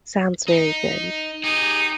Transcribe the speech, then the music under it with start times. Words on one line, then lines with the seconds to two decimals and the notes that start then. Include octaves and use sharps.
Sounds very good.
0.48 D#4
1.44 D#4 G4 G#4